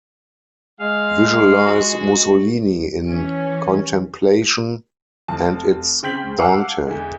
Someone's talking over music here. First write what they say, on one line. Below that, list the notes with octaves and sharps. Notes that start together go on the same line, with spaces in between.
Visualize Mussolini in contemplation, and it's Dante.
G#3 F5
F#4
E3 C#4
F1 F3 A5
C#3 C4 G5 G6 B6 F#7
F5 F#5 A5 D6 E6
E2 D3 G#3